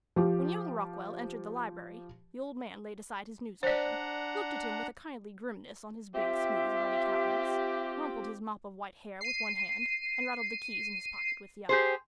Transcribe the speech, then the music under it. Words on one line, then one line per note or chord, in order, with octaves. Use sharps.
When young Rockwall entered the library the old man laid aside his newspaper, looked at him with a kindly grimness on his big, smooth, ruddy countenance, rumpled his mop of white hair with one hand and rattled the keys in his pocket with the other.
F3 G4
D4 C5 D5 F#5 A#5
C4 F4 G4 E5
C7 D#7
G4 G#4 C5